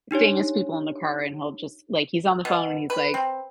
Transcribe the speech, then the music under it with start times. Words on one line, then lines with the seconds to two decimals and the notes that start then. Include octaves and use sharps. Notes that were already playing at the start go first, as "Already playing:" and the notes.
famous people in the car, and he'll just like, he's on the phone, and he's like
0.11 D4 D#4 G4 C#5
2.45 B2
2.90 B4
3.14 C4